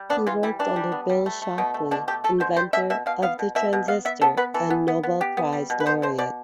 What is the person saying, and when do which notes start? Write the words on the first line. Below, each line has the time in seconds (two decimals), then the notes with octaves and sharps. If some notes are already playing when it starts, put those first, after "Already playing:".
He worked under Bill Shockley, inventor of the transistor and Nobel Prize laureate.
Already playing: G3
0.10 B3 D4
0.27 E3 F4
0.43 G3 E4
0.59 E3 D4
0.76 G3
0.92 B3
1.10 G3
1.26 A3
1.42 A3
1.58 B2
1.74 A3
1.91 B2 D4
2.08 A3 G4
2.24 A3 A4
2.40 B2 C5
2.56 G3 C5
2.73 B2 E5
2.90 B2 E5
3.06 B2 F5
3.22 B3 F5
3.39 B2
3.55 B2 E5
3.73 B2
3.88 B3 F5
4.05 B3 E5
4.21 B3 A4
4.37 B3 B4
4.54 E3 A4
4.70 B3
4.88 B3
5.03 B3
5.21 B3 G4
5.37 B3
5.53 G3
5.70 B2
5.80 B4
5.86 B3 C5
6.02 B2 C5
6.18 B2 D5